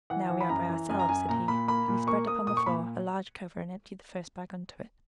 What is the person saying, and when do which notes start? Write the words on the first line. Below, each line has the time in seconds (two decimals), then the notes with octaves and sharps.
"Now, we are by ourselves," said he; and he spread upon the floor a large cover, and emptied the first bag into it.
0.10 E3 F#5
0.30 E3
0.40 B5
0.49 F#2 A#5
0.70 E3
0.89 F#2 G#5
0.99 A#5
1.09 F#2 G#5
1.29 A#2 A#5
1.48 A#2 B5
1.68 A#3 B5
1.88 A#2
2.07 A#3 C#6
2.27 A#3 D#6
2.47 A#2 D#6
2.57 C#6
2.66 A#2 B5